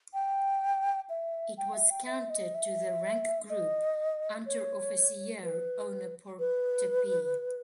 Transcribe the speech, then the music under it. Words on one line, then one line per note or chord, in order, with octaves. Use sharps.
It was counted to the rank-group Unteroffiziere ohne Portepee.
G5
E5
G5
E5
G5
E5
D#5
E5
D#5
C#5
B4
B4